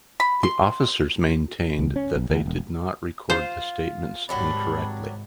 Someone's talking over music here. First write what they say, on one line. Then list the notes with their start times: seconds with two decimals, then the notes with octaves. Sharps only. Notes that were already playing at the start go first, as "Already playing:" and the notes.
The officers maintained that they did not record the statements incorrectly.
0.20 B5
0.43 C6
1.79 C#2
1.96 C#4
2.16 B1
2.30 D2
2.46 E1
3.30 F4 C5
4.29 G#1 C3 F#3 G3 D4 B5